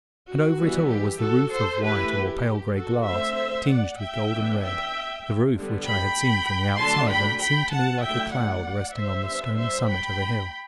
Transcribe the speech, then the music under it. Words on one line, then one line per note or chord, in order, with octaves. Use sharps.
And over it all was the roof of white or pale gray glass tinged with golden-red--the roof which I had seen from the outside when it seemed to me like a cloud resting on the stony summit of a hill.
F#4
E3 G3 B3
G4
F#4 A4
A4 C5
E3 A3 E4 G4 B4
G4
F#4 A4
D3 A3 C4 C5 E5
D5 F#5
E5 G5
E3 B3 D4
E5 G5
D3 G3 B3
G5 B5
D3 F#3 A3 D4 A5 C6
G5 B5
G5 B5
F#5 A5
D3 F#3 A3 E4 E5 G5
D5 F#5
C5 E5
G3 B3 D4
C5 E5
G5 B5